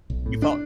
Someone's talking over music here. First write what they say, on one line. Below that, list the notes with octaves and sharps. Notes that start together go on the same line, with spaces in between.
you felt
B1
A2
D4